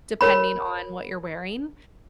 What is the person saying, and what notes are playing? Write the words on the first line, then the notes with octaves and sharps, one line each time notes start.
depending on what you're wearing,
A#4 C#5 B5